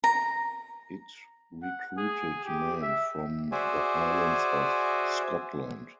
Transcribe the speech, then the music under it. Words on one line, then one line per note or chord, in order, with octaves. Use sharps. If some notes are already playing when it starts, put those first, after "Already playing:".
It recruited men from the Highlands of Scotland.
A#5
F#5
G#4
G4
E5
F#4 G#4 C5 D5 E5 G#5